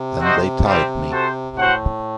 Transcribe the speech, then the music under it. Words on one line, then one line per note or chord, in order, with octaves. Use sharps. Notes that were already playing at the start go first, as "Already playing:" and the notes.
Then they tied me.
Already playing: C3
C4 F#4 C5 D#5
G3 C4 G4
F#4 A4 C5
A2 F#4 C5 F#5